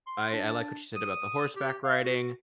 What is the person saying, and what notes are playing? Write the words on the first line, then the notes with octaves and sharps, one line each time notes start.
I I like what you said about the horseback riding.
C6
D4
D#6
G4
F5
F#4